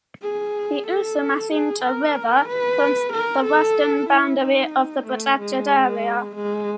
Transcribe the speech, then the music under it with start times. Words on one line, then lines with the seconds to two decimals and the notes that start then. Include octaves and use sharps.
The Usumacinta River forms the western boundary of the protected area.
0.23 G#4
0.87 A4
1.51 G#4
1.84 A#4
2.48 B4
3.13 A#4
3.45 A4
4.09 E4
4.42 D#4
5.06 A3
5.39 G#3
6.36 G#3